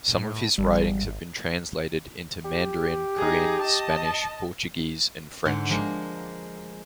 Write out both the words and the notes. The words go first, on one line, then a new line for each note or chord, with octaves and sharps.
Some of his writings have been translated into Mandarin, Korean, Spanish, Portuguese and French.
A2
G#1 G3
G4
D#4 G#4
D#5 A5
G#2 D3 F#5
F3 G#3 A#3